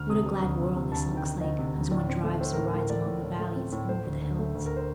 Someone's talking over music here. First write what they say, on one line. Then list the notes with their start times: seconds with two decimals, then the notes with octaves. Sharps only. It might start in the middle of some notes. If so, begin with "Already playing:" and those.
What a glad world this looks like, as one drives or rides along the valleys and over the hills!
Already playing: D2 F6
0.09 C3 D#6
0.26 G3
0.42 D2
0.59 C3
0.76 C3
0.92 D2 A5
1.08 D#3
1.17 G5
1.25 D#3
1.41 D2 D#5
1.59 C3
1.75 D2
1.91 A2 D5
2.08 C4
2.24 A3
2.41 A2 C5
2.53 A2 A#4
2.65 C5
2.73 A2 A#4
2.90 A3 D5
3.06 A2
3.23 A2
3.39 A3
3.56 C4
3.72 A2
3.89 A3 C5
4.06 D2
4.22 D2
4.39 A3
4.55 D2
4.66 A#4
4.77 C5